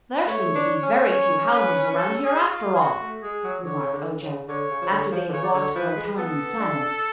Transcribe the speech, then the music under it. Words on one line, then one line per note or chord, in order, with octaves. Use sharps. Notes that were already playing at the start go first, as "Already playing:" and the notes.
"There seem to be very few houses around here, after all," remarked Ojo, after they had walked for a time in silence.
B4
A3 C#5
D4
C#4
C#5
B4
A4
G#4
F#4
F4
G#4
F#4
A3
G#3 G#4
F#3
D3 C#5
C#3
D3
C#3
D3 C#5
C#3
F3
D3
F3
D3
C#3 C#5
D5
D3 C#5
F3 B4
G#3
B3 A4
D4